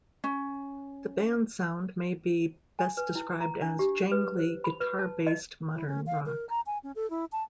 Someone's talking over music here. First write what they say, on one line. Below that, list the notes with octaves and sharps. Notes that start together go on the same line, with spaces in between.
The band's sound may be best described as jangly guitar-based modern rock.
C#4
G#5
B4
E4
A#5
D4
G4
B4
C5
B5
B4
A5
D#5
E4
C#4
F5
A#4
A#5
G#5
C#4
A4
E4
A5